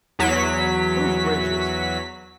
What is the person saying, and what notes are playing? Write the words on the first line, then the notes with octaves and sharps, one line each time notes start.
Whose bridges?
E2 F#3 B6